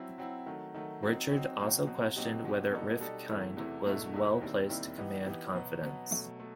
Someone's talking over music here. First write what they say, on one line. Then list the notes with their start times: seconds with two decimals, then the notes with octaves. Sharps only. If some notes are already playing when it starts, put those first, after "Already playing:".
Richards also questioned whether Rifkind was well-placed to command confidence.
Already playing: F#3 C4 E4
0.18 F#3 C4 E4
0.46 D#3 F#3 A3
0.74 D#3 F#3 A3
1.03 F#3 C4 D#4 F#4
1.31 F#3 C4 D#4 F#4
1.59 B2 F#3 C4
1.87 B2 F#3 C4
2.16 B2 F#3 C4 D#4 G4
2.44 B2 F#3 C4 D#4 G4
2.72 B2 G3 D#4 A4
3.00 B2 G3 D#4 A4
3.29 E2 C3 E3 A3 E4
3.57 E2 C3 E3 A3 E4
3.85 E2 B2 A3 E4
4.13 E2 B2 A3 E4
4.41 D#2 D#3 G3 C4 E4
4.69 D#2 D#3 G3 C4 E4
4.98 E3 B3 D#4 G4
5.26 E3 B3 D#4 G4
5.54 B2 F#3 B3
5.82 B2 F#3 B3
6.11 B2 F#3 A3
6.40 A3